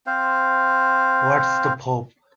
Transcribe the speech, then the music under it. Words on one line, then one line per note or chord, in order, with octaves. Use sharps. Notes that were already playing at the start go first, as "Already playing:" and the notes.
What's the Pope?
C4 C5 F5